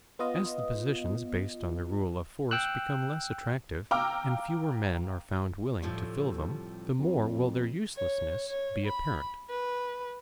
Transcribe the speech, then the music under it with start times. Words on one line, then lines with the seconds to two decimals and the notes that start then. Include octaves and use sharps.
As the positions based on the rule of force become less attractive and fewer men are found willing to fill them, the more will their uselessness be apparent.
0.19 B3 F4 D#5
2.51 G5 E6 F#6
3.91 F5 G5 A#5 D6 E6 F6
5.82 D2 A2 C3 F3 G3 A3
6.99 F2
7.96 C#5
8.47 C#5
8.86 B5
9.50 B4